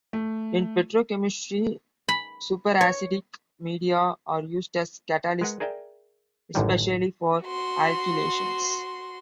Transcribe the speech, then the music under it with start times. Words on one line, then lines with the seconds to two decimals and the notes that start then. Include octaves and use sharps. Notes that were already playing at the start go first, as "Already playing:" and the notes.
In petrochemistry, superacidic media are used as catalysts, especially for alkylations.
0.13 A3
2.08 B5
2.81 C#5
5.41 G#3 A#4 B4 F#5
5.60 G#4 A#4 D5 E5 G5
6.55 A1 F#2 A2 D3 D#3 G3
7.43 F#4 C6